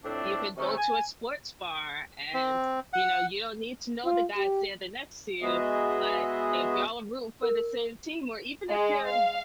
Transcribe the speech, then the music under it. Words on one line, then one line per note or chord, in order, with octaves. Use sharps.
you could go to a sports bar, and, you know, you don't need to know the guy standing next to you, but if y'all are rooting for the same team, or even if you're
F2 A2 A3 C4 D4
C3 D#3 A3 C#4
G#5
C4
F#5
F4
G4
G#3 B3 F#4 G#4 D#5 E5
A#4
G#3
F5